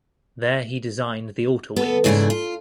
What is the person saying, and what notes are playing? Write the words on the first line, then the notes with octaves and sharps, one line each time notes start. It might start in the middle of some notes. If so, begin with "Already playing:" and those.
There he designed the altar wings.
B3 A4
E2 G#2 C#3 A3 D4 E4
F4